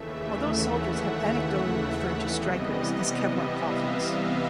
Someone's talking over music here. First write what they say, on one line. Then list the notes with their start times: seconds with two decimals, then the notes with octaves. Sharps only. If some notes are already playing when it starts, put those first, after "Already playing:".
Although soldiers have anecdotally referred to Strykers as Kevlar Coffins.
Already playing: D#2 C#3 E3 A3 E5
0.35 F#5
0.98 E5
2.20 C3 E3 G3 B3 D#5
2.82 D#5
3.14 E5
3.44 F5
4.06 E5